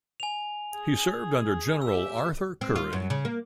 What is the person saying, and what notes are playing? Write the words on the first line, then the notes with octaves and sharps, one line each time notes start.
He served under General Arthur Currie.
G#5 F7
G#4
G4 E5 E6
C4
F4
F#2
C#3
A#3